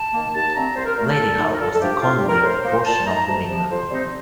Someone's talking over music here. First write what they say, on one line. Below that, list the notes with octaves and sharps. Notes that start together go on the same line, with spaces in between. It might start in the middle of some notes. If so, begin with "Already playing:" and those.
Ladyhall was the Cunliffe portion of the manor.
Already playing: A5
D#3 A#3
D#2 A5
D3 A3 C4 A#5
C2 C5
A#4
A#2 A3 A#4
A4
A#2
A3 D#4
A#4
A#2 A4
A4
F3 A3 D4 G4
A2 F4
G4
G3 D4
A#4
A2 C5
F3 A#3 D#4
A#2 A5
A3 D#4 A#5
D2 A5
C3 F3
F2 C5
C3 G3 C4 D#4